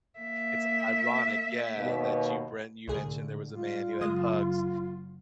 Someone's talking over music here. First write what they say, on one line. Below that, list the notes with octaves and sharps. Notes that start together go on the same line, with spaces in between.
it's ironic, yeah, that you bren you mentioned there was a man who had pugs.
A#3 E5
D#2 B2
C2 A2 D3 G#4
G3 F4
F#1 F#3 G#3 D#6